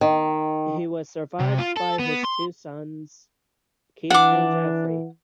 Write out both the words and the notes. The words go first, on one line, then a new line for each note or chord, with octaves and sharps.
He was survived by his two sons, Keith and Jeffrey.
D#3
C3
F4
A4
B3
C6
E3 D4 F#5 D6